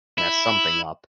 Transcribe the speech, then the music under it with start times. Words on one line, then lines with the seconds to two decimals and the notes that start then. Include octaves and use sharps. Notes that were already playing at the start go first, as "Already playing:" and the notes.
mess something up
0.18 E4